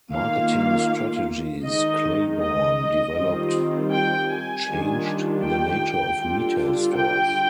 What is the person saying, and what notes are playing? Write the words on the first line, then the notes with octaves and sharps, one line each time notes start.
Marketing strategies Claiborne developed changed the nature of retail stores.
D#3 A#3 F4 F5
D#3 G#3 D#4 D#5
D#5
D#3 G3 C4 F4
G5
G#5
D#3 G3 D4 F4
G5
D3 G3 D4 F4
G5